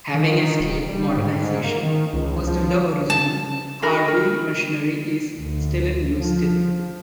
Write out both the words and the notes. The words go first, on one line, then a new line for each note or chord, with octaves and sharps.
Having escaped modernisation, most of the original Harvey machinery is still in use today.
D#3
D#1
G3
G#2
A#3
D#3
C#2
F3
A5
D4 F#4 A#4 B5
A#4
D2
F3